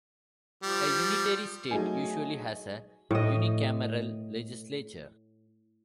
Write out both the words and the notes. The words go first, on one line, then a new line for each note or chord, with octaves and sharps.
A unitary state usually has a unicameral legislature.
F3 G3
F#3 A3 D#4 G#4 G#5
A2 D#5